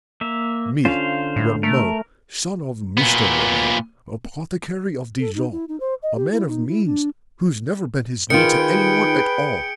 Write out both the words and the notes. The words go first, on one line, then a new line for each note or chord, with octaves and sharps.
Me, Rameau, son of Mr. Rameau, apothecary of Dijon, a man of means, who's never bent his knee to anyone at all!
A#3 E5
D3 C#4 F4 C5 F5
A2
A3 A#4
A#2 B3
A4
D#4
E4
D#4
C5
D#5
G4
E4
D#4
E4
D4
D#3 F4 G#4 B4 G5 C#7 D7